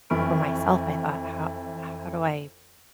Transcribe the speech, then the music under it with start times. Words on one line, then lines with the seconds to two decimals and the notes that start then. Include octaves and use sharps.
for myself, I thought, "How how do I
0.10 F2 E3 B5 C#6 F6 D7